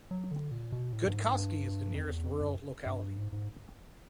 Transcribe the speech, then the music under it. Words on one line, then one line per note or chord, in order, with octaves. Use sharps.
Gudkovsky is the nearest rural locality.
F#3
D3
A#2
B2
A2
G2
G#2
G2
F2
E2
F2
F#2
G2
G#2
G#2